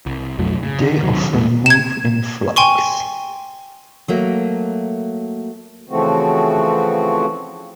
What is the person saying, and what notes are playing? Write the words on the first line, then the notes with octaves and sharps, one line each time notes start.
They often move in flocks.
C2
B1 F2 F#3 A3
C#3
D3 D#3
D#2 C3 D#3 F#3
E2 A2 G#3 B3
G#6 E7
G5 G#5 C6 C#6
F#3 A3 A#3
C#3 E3 F3 A3 C4 F#4